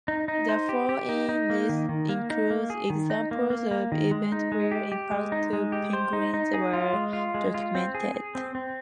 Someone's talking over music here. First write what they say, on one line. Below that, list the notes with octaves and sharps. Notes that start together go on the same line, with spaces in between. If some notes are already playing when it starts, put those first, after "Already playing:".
The following list includes examples of events where impacts to penguins were documented.
D#4
D#4
C5
G4
G4
D#4
D#4
A#3
D#3
D#3
A#3
D#4
A#3
G#4
D#3
D#4
A#3
A#3
A#3
D#3
G#3
D#4
G#3
G4
G4
G#3
D#4
G#3
G4
C5
D#4
D#4
G#4
F4
G#3
F4
G#3
F4
C4
G#4
G#4
C4
C4